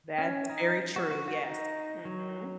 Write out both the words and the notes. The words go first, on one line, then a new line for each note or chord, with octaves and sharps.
That's very true, yes. Mhm.
C#4
D#4
F#4
F#4
F#4
D#4
F#3